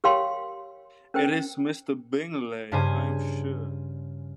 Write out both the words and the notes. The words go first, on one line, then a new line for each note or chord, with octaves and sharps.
It is Mr. Bingley, I am sure!
G4 A#4 C#5 F5 G5 C6
C#4 A#4 C5 G5
G2 C#3 C5 G#5